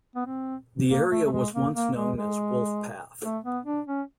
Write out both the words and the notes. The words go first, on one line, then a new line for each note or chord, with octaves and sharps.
The area was once known as "Wolfpath".
B3
C4
A#3
A3
A3
G#3
A#3
A#3
G#3
G#3
A3
B3
D4
C#4